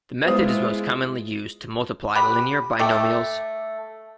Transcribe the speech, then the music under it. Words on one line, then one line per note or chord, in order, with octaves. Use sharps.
The method is most commonly used to multiply linear binomials.
G#3 B3 E4 F4 C5 D#6
G4 G#4 F#5 B5
A3 A4 D5 G5